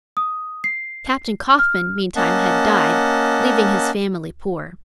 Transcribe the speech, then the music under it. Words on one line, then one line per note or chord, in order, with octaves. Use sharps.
Captain Coffin meantime had died, leaving his family poor.
D#6
C7
F6
A#3 C#4 D#5 F#5 A5